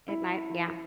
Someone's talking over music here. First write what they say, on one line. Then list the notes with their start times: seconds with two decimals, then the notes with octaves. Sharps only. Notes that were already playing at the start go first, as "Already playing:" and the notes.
It might Yeah.
0.08 E4